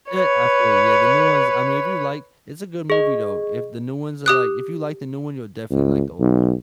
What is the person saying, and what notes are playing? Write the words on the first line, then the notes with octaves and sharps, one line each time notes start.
Yeah, I feel you. Yeah, the new ones I mean, if you like it's a good movie though. If the new ones are like If you like the new one, you'll definitely like the old one,
B4 C#5
G#4 D#5
G4 D#6 F#6
C#2
B1